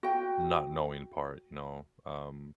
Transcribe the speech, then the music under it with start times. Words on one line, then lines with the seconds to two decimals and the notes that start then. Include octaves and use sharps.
not knowing part, you know? Um,
0.03 F#4 G5